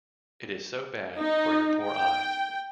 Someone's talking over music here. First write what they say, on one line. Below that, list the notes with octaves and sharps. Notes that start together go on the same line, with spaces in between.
It is so bad for your poor eyes.
D#4
G5